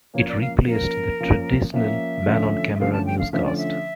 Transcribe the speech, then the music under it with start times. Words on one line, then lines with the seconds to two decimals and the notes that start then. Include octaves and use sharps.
It replaced the traditional "man-on-camera" newscast.
0.14 F3 A#3 C#4 C#5
0.28 D5
0.41 F5
0.67 F3 A#3 C#4 A#4
1.20 F3 A#3 C#4
1.73 F3 A#3 C#4 E5
2.26 D3 F3 A3 C#4
2.75 E5
2.80 D3 F3 A3 C#4 F5
2.92 A5
3.06 G5
3.19 F5
3.32 D3 F3 A3 C#4 E5
3.45 D5
3.57 E5